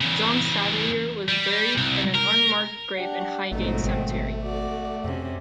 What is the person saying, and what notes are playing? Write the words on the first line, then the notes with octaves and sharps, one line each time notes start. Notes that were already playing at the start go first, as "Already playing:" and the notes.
John Sadleir was buried in an unmarked grave in Highgate Cemetery.
E2 C#3
G3
C2
A#4
D4 G4 F#5
A1 F2 G#2 B2 F#3 A3 D#4
G#1 C4
F#4 D5
F2 C3 C#4